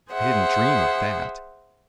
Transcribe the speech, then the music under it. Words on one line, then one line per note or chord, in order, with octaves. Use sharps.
I didn't dream of that.
G#4 C5 E5 F#5